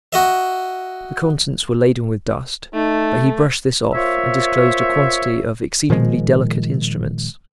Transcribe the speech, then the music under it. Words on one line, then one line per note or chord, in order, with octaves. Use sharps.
The contents were laden with dust, but he brushed this off and disclosed a quantity of exceedingly delicate instruments.
F#4 D#5 E5
A3 D#4
A#3 F4 C5 C#5 E5
A#2 D#3 F3 G#3